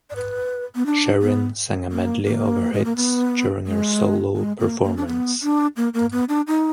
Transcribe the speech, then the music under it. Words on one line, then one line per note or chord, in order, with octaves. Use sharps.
Sheryn sang a medley of her hits during her solo performance.
D5
B4
B3
D4
B3
A#3
A#3
G#3
A#3
B3
G#3
G#3
A#3
A#3
D4
B3
D4
A#3
A#3
B3
D4
D#4